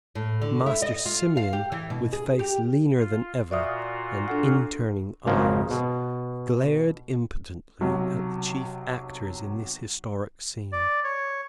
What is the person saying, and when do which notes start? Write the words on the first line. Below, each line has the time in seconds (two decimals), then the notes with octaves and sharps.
Master Simeon, with face leaner than ever and inturning eyes, glared impotently at the chief actors in this historic scene.
0.15 A2
0.42 D3
0.66 E4
0.82 D#5
1.06 F4
1.37 F5
1.53 G4
1.72 E3
1.90 B2
2.13 G#4
2.39 G4
2.98 F4
3.51 A#2 F4 F#4 D5 E5 D#6
4.28 D4 A4 F#5
5.26 G#1 C#3 F3 A#3
5.71 B2
7.81 B1 C3 F#3
10.72 D5
11.04 C#5